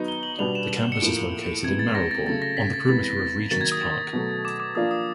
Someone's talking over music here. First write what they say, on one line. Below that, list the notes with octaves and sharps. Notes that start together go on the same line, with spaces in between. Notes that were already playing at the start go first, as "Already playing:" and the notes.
The campus is located in Marylebone, on the perimeter of Regent's Park.
Already playing: F#3 B3 D#4
G7
F#7
B2 G3 B3 D4 F7
E7
C#7
A2 F3 A#3 D7
C#7
C3 E3 G#3 B3 G#6
A6
A#6
A6
C#3 F#3 A3 A6
A#6
B6
A6
C3 E3 G#3 B3 A6
A#6
D#3 F#3 A#3 A6
G#6
D#6
B2 F#3 A3
D6
D6
F3 A#3 D4 F4 D#6
D#6